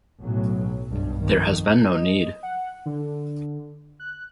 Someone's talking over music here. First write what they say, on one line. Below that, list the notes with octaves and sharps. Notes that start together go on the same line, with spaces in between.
There has been no need.
B1 A2 F#3
B1 G2
F2 D#3
D#5
F#5
D3
F#6